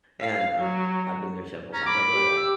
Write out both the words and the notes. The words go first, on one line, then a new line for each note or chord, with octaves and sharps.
and, um, I've been there several times, I really like it.
F5
F#3
C#4 A#5
B5 D6
G4
E6